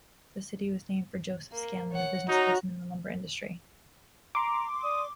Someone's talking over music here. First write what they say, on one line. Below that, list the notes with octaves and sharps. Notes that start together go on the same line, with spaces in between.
The city was named for Joseph Scanlon, a businessperson in the lumber industry.
A#3
C#5 F#5
D#4 F#4 C#5 A#5
A#5 C6 D6
D5 D#6